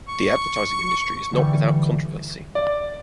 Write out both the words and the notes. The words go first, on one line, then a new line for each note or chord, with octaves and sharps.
The advertising industry is not without controversy.
C#6
D3 E3 G3
D5